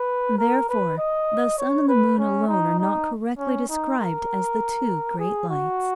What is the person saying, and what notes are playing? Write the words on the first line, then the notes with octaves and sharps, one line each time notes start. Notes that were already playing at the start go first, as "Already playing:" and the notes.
Therefore the sun and the moon alone are not correctly described as the "two great lights."
Already playing: B4
A#4
B4
D#5
C#5
B4
C#4
D#4
D#4
C#4
D#4
A#4
G#4
F#4